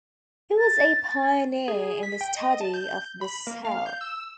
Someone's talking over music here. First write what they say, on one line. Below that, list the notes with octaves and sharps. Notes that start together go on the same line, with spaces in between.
He was a pioneer in the study of the cell.
A6
G#4
B6
G5
D#5
A5
G6
B5
A#3
F5
G6
E6